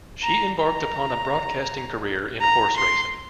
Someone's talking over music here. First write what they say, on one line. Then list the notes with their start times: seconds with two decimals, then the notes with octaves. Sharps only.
She embarked upon a broadcasting career in horse racing.
0.23 A#5
0.59 A#5
2.41 A#5
2.77 C6